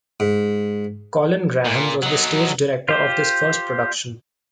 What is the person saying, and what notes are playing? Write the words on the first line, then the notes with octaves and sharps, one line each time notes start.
Colin Graham was the stage director of this first production.
G#2
A#2
F#3 D#4
F4 G4 C5